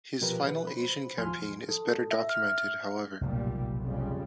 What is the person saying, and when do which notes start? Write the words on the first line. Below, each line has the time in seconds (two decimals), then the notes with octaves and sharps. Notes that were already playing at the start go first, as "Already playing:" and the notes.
His final Asian campaign is better documented, however.
0.21 B2 F3 G4 A#4 B4
0.49 B4
0.67 C5 B5
1.18 D#2 F3 G#5 C6 F6
1.68 A4
2.11 E5
2.29 F6
3.21 F1 B1 A#2 G3
3.80 F2 C#3 G3